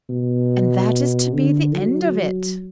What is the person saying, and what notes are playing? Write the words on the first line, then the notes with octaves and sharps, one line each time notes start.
"And that is to be the end of it."
B2
D3
F#3